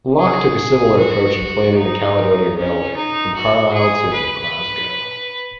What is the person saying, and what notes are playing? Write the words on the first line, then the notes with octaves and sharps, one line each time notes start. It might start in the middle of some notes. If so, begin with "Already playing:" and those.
Locke took a similar approach in planning the Caledonian Railway, from Carlisle to Glasgow.
G#4
F#4
D#4
C#4
D#4
F#4
G#4
B4